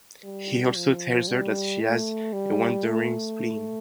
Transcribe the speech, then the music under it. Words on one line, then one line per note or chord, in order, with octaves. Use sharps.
He also tells her that she has a wandering spleen.
G3
F3
G3
A3
G3
A3